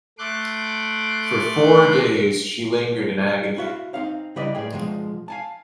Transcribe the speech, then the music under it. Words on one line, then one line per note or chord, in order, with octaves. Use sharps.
For four days she lingered in agony.
A3 C6 D6 F#6
E4 F#4 E5 F5
C4 D#4 F5
C#3 G3 E4 B4 D5 D#5
A2 G#4 D5 G5
B2 F3 G#3
F5 G#5 A5